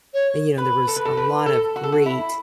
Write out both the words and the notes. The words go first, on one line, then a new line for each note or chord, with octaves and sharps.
and, you know, there was a lot of great,
C#5
B4
A4
B4
A4
B4
A4
F#4
A4
F#4
E4